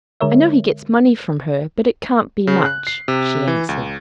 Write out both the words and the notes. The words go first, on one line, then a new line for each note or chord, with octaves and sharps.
"I know he gets money from her, but it can't be much," she answered.
D3 G#3 A#4 C#5 E5
C#3
F#6
C7
C3
E3
C#2